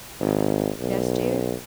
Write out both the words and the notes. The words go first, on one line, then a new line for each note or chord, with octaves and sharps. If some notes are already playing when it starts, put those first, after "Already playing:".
"Yes, dear?"
G#1
B1